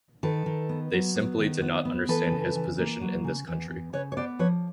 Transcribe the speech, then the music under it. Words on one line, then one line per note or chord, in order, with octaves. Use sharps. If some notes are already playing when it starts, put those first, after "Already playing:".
They simply did not understand his position in this country.
D#3 A4 B4
D#3
B3
F#3
B3
D#3
B3
B3
E3 A4 B4
C#3
E3
A#3
F#3
C#3
E2
E2
C#3 B4 C#5
C#5
B3 C5 D5
F3 B4 C#5